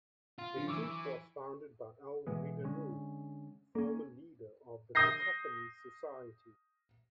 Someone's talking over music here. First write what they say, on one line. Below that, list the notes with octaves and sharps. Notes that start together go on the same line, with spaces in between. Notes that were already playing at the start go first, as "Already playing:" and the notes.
The troupe was founded by Al Ridenour, former leader of the Cacophony Society.
F4
D3 F#3 C#4
E3 C#6 D6 E6
E3
B2 E3 G#3 B3
D3 G#3 C#4
A#3 C#4
D#6 G6 A#6 C7